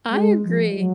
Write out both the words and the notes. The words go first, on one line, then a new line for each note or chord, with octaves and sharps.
I agree.
G#3
F3
G#3
F#3